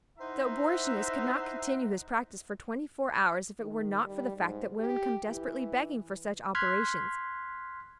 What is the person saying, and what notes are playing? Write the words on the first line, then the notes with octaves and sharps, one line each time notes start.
The abortionist could not continue his practice for twenty-four hours if it were not for the fact that women come desperately begging for such operations.
D#4 E4 C5 E5 F#5 A#5
D#3
G3
G#2
G4
E3
C6 F6 F#6 G#6 B6